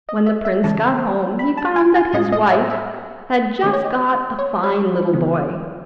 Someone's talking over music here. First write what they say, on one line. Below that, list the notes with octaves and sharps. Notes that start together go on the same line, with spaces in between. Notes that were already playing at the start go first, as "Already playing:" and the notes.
When the prince got home he found that his wife had just got a fine little boy.
D#5
E5
E5
C#3 E3 G#3 C#4 A5
B5
A5
G#5
G#5
A2 G#3 C#4 D#5
D#5
E5
E5
D#3 A3 C#4 D#5
C#5
D#5
C#5
C#5
C#3 E3 G#3 B3